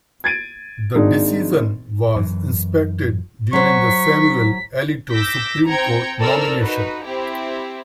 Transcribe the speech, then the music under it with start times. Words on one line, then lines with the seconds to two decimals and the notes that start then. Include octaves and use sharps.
The decision was inspected during the Samuel Alito Supreme Court nomination.
0.24 G#6 A6 D7 D#7
0.95 G#1 D4 D#4 G#4
2.16 F#2 E3
3.53 F#3 C5 C#6 B6
5.10 D6 E6 G6 A#6 B6
5.67 C4 G5 A#5 G#6 C#7
6.19 A4 A#4 C5 D5 E6 F6
6.58 D#4 F#4 B4
7.06 C4 E4 G4